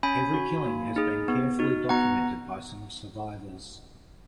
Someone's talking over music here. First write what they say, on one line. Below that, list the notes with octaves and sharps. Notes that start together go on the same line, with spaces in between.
Every killing has been carefully documented by some survivors.
C#4 G#5 B5
F#4
A#3
D#4 G#4
B3
D#4 F#4
B3 F#5 A#5